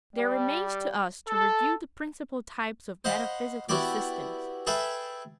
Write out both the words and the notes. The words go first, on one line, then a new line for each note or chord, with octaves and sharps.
There remains to us to review the principal types of metaphysical systems.
G3
A4
C5 D#5 F5 F#5 B5
B3 E4 F#4 G4 D5
G#4 A4 B4 E5 G5